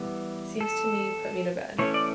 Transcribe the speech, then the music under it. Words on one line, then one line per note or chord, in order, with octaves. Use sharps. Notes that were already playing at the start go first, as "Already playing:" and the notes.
Seems to me you put me to bed.
Already playing: E3 G3 B3
A4
E3 A3 C#4 C#5
D5